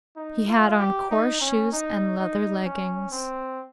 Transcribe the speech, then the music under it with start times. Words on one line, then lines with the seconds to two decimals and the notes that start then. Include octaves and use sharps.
He had on coarse shoes and leather leggings.
0.16 D#4
0.48 F4
0.79 G4
1.11 D#4
1.41 C#4
1.73 D#4
2.19 D#4
2.66 C#4
3.12 C4